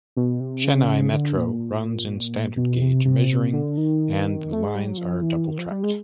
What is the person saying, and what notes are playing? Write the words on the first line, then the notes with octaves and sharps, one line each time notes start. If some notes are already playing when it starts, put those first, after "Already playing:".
Chennai Metro runs in standard gauge measuring and the lines are double-tracked.
B2
C3
C#3
D3
A#2
B2
C3
C3
D3
D#3
A3
G#3
G3
F#3
F3
E3
D#3
F3
G3
G#3